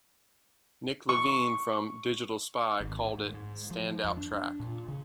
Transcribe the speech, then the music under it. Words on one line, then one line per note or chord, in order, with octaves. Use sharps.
Nick Levine, from "Digital Spy", called it "standout track".
C#6
G#1
G#2
G#2
F3
F2
D4
A#2
C#3